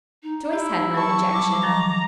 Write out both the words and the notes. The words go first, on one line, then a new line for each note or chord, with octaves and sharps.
Joyce had no objection.
D#4
E4 G4
F#3 A5 C#6
G3 D6
D#3 F3 F#3 A#5